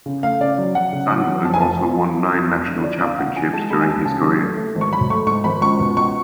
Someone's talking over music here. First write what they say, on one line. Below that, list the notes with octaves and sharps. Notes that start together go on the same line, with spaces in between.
Sandberg also won nine national championships during his career.
C#3
A3 F5
C#3 D5
F#3
F#3 F#5
C#3
F#3
F#3
F2 A5
G#5
F1 A5
F2
F#3
F#3
F#3
F1
D3
F3 D5
D2 F5
C#3 F#5
F3 G#5
G#3 A5
G#3 B5
G#5
D2 A5
C#3 A5
F#3
A3
A3
G#1
C#6
F#3 B5
A3 C#6
G#2 C#6
G#1 B5
C#2 C#6
B2
C#2 C#6